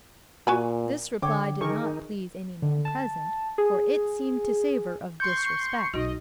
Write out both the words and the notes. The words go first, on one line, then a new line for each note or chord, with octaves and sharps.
This reply did not please any man present, for it seemed to savour of disrespect.
A#2 F#4 G#5 B5
D3 C#5 G5 D6
D#3 D#4 G#4 A#4 C#6
D3
A5
G#4
C6 C#6 G6 C#7
B1 D#4 F#4 D#5